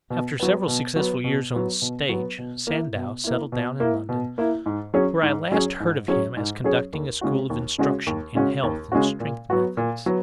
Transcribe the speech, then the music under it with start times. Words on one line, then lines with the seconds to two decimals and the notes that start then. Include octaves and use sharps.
After several successful years on the stage, Sandow settled down in London, where I last heard of him as conducting a school of instruction in health and strength methods.
0.10 B2
0.40 F#3 B3
0.68 B2
0.96 F#3 B3
1.24 B2
1.54 F#3 B3
1.82 B2
2.09 F#3 B3
2.39 B2
2.67 A#3 E4
2.95 B2
3.24 A#3 E4
3.52 B2
3.80 A#3 E4
4.09 B2
4.38 A#3 E4
4.66 G#2
4.94 F#3 C#4 G#4 C#5
5.22 G#2
5.52 F#3 C#4 G#4 C#5
5.80 G#2
6.08 F#3 C#4 G#4 C#5
6.37 G#2
6.64 F#3 C#4 G#4 C#5
6.93 D#2
7.21 C#3 G#3 C#4 F#4
7.50 D#2
7.78 C#3 G#3 C#4 F#4
8.07 D#2
8.35 C#3 G#3 C#4 F#4
8.63 D#2
8.92 C#3 G#3 C#4 F#4
9.20 A#2
9.50 F#3 B3 F#4
9.77 A#2
10.06 F#3 B3